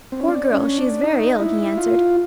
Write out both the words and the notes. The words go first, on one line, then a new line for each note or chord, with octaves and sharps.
"Poor girl, she is very ill," he answered.
C4
C#4
D4
C#4
D4
D#4
E4
F4